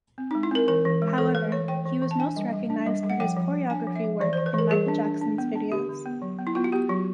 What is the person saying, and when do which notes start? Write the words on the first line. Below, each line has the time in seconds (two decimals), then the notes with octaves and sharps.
However, he was most recognized for his choreography work in Michael Jackson's videos.
0.18 C4
0.31 D#4
0.35 G#3
0.43 E4
0.51 C4 A#4
0.68 E3 A#4
0.85 E3
1.02 G#3
1.18 E3 A4
1.35 A3 B4
1.52 E3 C#5
1.68 E3 G5
1.85 E3
2.02 E3
2.11 A5
2.19 D4 G#5
2.36 G3
2.53 G3
2.70 D4
2.87 G3
3.03 G3
3.10 F#5
3.20 F3 G5
3.37 F3
3.53 F3
3.70 D4 G#5
3.87 F3
3.96 E5
4.04 F3
4.20 E3 D5
4.33 C5
4.38 E3
4.46 B4
4.54 E3 A#4
4.71 G3 G#4
4.88 D4
5.05 D4
5.21 D4
5.38 B3
5.56 D4
5.72 D3 G4
5.89 D3
6.06 B3
6.22 F#3
6.39 B3
6.47 E4
6.55 B3 F4
6.64 F#4
6.72 B3 G4
6.89 F#3 F#4